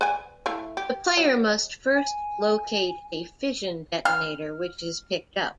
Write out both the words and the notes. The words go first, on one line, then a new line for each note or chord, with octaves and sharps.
The player must first locate a fission detonator, which is picked up.
B4 D5 G#5
A3 E4 F5
G4
F#3
G#5
F6